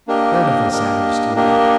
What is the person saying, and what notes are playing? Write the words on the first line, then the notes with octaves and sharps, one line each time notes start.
None of us Adders do.
A#3 D4 G4 A#4 D#5
A#3 D4 G4 A#4 D#5
A#3 D4 G4 A#4 D#5